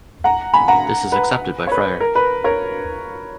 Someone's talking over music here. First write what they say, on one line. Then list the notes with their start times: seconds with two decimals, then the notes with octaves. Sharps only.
This is accepted by Frier.
0.24 F#5 A#5
0.54 G#5 B5
0.68 F#5 A#5
1.12 B4
1.67 C#5
1.72 B4
2.01 A#4
2.15 B4
2.44 A#4 C#5